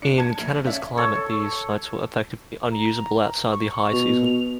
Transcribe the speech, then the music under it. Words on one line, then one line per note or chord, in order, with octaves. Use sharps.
In Canada's climate, these sites were effectively unusable outside the high season.
D4 C#7
A5 G#6 C#7
A#1
C#4 D5 E5
A4 C#5
A#5
C#6
B2 F7